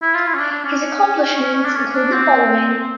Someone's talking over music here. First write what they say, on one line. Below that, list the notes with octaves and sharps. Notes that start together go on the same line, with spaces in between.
His accomplishments include the following.
E4
F4
E4
C#4
D4
D4
C#4
D4
C#4
D4
C4